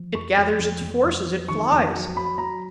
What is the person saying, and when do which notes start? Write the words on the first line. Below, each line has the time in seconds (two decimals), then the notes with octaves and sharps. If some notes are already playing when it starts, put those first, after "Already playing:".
It gathers its forces, it flies!
Already playing: F3
0.14 F2 C#6
0.38 F2
0.59 F2
0.81 F2
1.04 F2
1.27 F#3
1.48 D#3 C#6
1.71 F2
1.94 F#3
2.16 F#3 B5
2.38 F#3 A#5